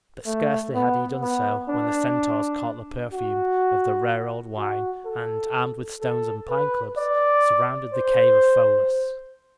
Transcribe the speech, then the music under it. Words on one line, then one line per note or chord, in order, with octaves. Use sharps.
But scarcely had he done so when the Centaurs caught the perfume of the rare old wine, and, armed with stones and pine clubs, surrounded the cave of Pholus.
A3
B3
B3
D4
F#4
F#4
A4
A4
B4
D5
C5